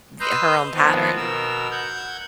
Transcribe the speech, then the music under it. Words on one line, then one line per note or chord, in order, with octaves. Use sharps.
the her own pattern
B4 D#5 A#5 C6 E6 G6
D#3 F3 B3 C4
B2 A#4 E6
F#5 G6 G#6